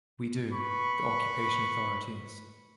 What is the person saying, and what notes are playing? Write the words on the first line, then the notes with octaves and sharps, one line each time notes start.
We do, the occupation authorities.
B4 B5 C#6